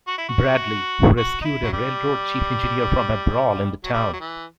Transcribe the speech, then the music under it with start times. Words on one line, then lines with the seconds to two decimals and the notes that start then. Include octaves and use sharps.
Bradley, who rescued a railroad chief engineer from a brawl in the town.
0.07 F#4
0.18 E4
0.29 F#4
1.17 F#4
1.41 D#4
1.45 E4
1.63 F#3
1.72 G3
3.84 F#3
3.93 G3
4.13 F#3
4.20 E3